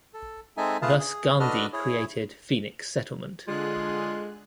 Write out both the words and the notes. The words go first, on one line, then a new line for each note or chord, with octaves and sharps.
Thus Gandhi created "Phoenix Settlement".
A4
G#3 C4 D#4 A4 E5 G#5
A3 F4 G#4 B4 F5 A5
G#4
D4 F#4 A4 B4 D#5 F6
E4 G#4 C#5
D3 G#3 F4 G#4 F#6